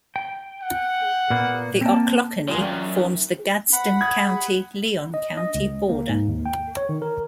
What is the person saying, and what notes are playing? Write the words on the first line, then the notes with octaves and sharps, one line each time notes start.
The Ochlockonee forms the Gadsden County-Leon County border.
G5
F#5
A#2 A#3 B3
A#3 C4 G5 A5
E2 G3 G#3 A#3 F4
F#2 F4 D5 G5
D#3
F#5 B5
D#6 G#6
D#5
D#5
C#2
A#3
G#2
D#2
G5
C#5
D#3
A#4